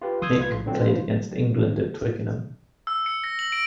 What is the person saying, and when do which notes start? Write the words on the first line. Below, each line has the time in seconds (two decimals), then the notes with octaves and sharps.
Mick played against England at Twickenham.
0.02 F4 G4 B4
0.22 C6 D#6 E6 G6 G#6
0.38 C2 B2 F4 B4 G#6
0.49 A#1 A2 C#3 C6
0.66 A#2 D3 F#3 C4
0.81 F4 B4 C5
2.87 E6
3.06 C#7
3.24 A#6
3.39 F#7
3.52 D7